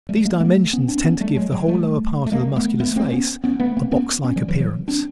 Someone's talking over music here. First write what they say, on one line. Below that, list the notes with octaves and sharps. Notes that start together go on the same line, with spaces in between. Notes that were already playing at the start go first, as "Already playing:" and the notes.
These dimensions tend to give the whole lower part of the Muscular's face a box-like appearance.
G3 A3
G#3 A#3
A3 B3
B3 C#4
C4 D4
B3 C#4
G3 A3
F#3 G#3
F#3 G#3
G3 A3
A3
G#3 A#3
A3 B3
A3 B3
A#3 C4
B3 C#4
B3 C#4
A3 B3
A#3 C4
B3 C#4
B3 C#4
F3 G3
E3 F#3
E3 F#3
C4 D4